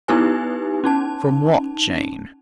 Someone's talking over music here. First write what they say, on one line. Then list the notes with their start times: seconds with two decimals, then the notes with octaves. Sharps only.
"From what, Jane?"
0.08 B3 D#4 E4 G4 B4 G#5
0.84 C#4 D#4 A5